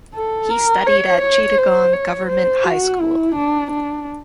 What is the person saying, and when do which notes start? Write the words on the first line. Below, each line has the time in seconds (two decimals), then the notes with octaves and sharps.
He studied at Chittagong Government High School.
0.15 A4
0.51 A#4
0.87 C#5
1.22 C#5
1.58 C5
1.93 C#5
2.28 C5
2.64 F#4
3.01 E4
3.36 D4
3.72 D4